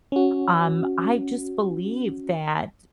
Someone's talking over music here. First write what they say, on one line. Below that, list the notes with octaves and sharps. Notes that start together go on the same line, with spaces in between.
Um, I just believe that
C#4 F#4